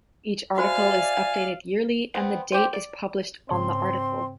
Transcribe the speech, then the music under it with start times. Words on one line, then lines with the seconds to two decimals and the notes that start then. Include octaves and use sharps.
Each article is updated yearly and the date is published on the article.
0.58 F#4 C5 D5 E5 F5 G#5 B5
2.15 B3 C4
2.52 C4 G4
2.73 D5
3.49 G#2 C#3 C4 C#5 C6